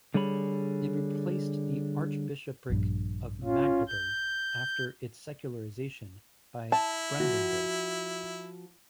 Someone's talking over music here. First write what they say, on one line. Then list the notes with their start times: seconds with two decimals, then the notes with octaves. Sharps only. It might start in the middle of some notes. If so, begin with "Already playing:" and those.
It replaced the Archbishopric of Magdeburg after its secularization by Brandenburg.
0.14 D3 G3 G#4 C#5 B5
2.70 A#1 G2
3.44 C#4 F4
3.88 G6
6.72 E4 A5
7.20 F3 F#4